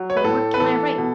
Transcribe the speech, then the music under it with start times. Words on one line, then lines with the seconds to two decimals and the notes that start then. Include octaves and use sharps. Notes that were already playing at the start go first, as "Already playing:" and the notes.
But what can I write?
Already playing: F#3
0.10 C#5
0.17 B4
0.24 A2 A4
0.54 B4
0.60 E3 A4
0.98 B2